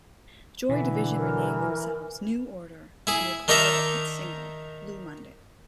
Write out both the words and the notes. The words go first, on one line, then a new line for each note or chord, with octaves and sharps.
Joy Division rename themselves New Order and record a hit single, "Blue Monday".
B2 D3 E3
A#4
E4 G#4
D#3 D4 D#4 A#4 E5 A#5